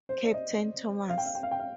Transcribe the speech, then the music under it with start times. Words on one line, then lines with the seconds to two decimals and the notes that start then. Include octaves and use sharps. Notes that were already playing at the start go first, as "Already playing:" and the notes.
Captain Thomas?
0.09 C5
0.24 D5
0.34 D#5
1.10 F5
1.18 G5
1.26 F5
1.35 G5
1.43 F5
1.51 G5
1.60 F5